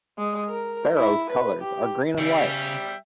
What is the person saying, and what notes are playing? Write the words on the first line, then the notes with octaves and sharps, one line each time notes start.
Beroes colours are green and white.
G#3
A#4
E4
B4
G4
C#3 G3 E5 G5